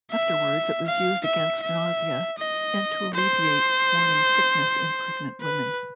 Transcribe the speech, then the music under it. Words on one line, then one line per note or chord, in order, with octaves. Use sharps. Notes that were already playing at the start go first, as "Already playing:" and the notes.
Afterwards it was used against nausea and to alleviate morning sickness in pregnant women.
E5
F5
E5
E5
D#5
C5
B4